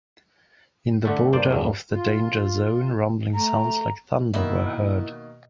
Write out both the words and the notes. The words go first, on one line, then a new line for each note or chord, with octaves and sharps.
In the border of the danger zone, rumbling sounds like thunder were heard.
D3 A3
G2 A#2 C5 D5
E2 G2
F4
A3 A#5
B2 D#3 A#3 E4